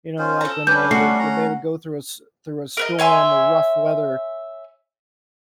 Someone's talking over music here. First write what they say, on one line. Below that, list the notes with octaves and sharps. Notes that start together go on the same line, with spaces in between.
you know, like, when they were when they would go through a s through a storm, or rough weather,
C#4 F4 C5
A4 A#5
G3 C#4 D4 B4 G6
A3 F#4 C7
C#4 A#5
A#4 B4 D#5
C#5 E5 G#5 C6